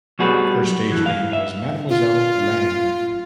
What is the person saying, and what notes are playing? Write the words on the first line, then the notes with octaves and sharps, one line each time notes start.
Her stage name was Mademoiselle Lange.
F#3 G3 B3 F#4 G#4 B4
G2 E3
F5
E5
F4